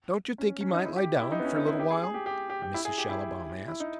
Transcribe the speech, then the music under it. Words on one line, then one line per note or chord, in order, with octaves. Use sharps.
"Don't you think he might lie down for a little while?" Mrs. Schallibaum asked.
C#4
C#4
D#4
E4
G4
E4
D#4
B3
C#4
D#4
E4
G4
G#4
G#4
G4
G4
G4
G4
E4
G#4
G4
E4
E4
D#4